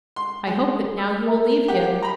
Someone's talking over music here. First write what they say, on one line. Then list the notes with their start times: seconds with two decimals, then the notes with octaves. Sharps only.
I hope that now you will leave him.
0.16 C6
0.47 G#3
0.98 E6
1.26 A#4 E5 A#5
1.68 G4 F#5
2.02 A#5 B5